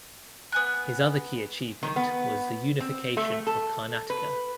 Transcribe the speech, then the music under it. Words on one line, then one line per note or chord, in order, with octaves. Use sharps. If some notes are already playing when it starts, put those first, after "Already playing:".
His other key achievement was the Unification of Karnataka.
B3 G#5 F#6
D#3
B3
C4
A3
A4
B4